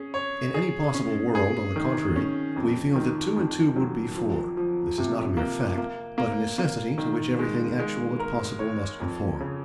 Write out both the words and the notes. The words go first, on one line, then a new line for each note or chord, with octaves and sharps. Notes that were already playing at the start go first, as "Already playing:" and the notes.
In any possible world, on the contrary, we feel that two and two would be four: this is not a mere fact, but a necessity to which everything actual and possible must conform.
Already playing: C#4 G#4
C#5
G#4
C#4
G#4
D#3
C#4
F2
D#3
F2
F#3
F3
F3
C3
A#3
A#3
A#3
A#3
D#3
G#3
G#3
A#4
C#5
F2
C#3